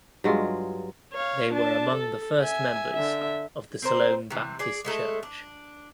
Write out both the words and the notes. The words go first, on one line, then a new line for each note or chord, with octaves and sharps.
They were among the first members of the Siloam Baptist Church.
G2 F#3 G#3 F4
C#5 F5
D4 A5
A4
E5 G#5
D3 E5
C4 A#4 C5
C3 E3
G#4 D5
G#3 A3 A4
D4